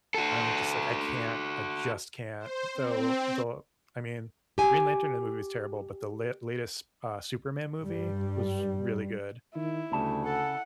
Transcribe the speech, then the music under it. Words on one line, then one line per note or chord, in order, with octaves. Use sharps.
I'm just, like, "I can't. I just can't." Though the I mean, the Green Lantern in that movie was terrible, but the la latest, uh, Superman movie was really good.
F#4 A4
C5
C4
G4 G#5
G2 G3
D#3 E4
D2 C#3 G3 A3 A5
A4 F#5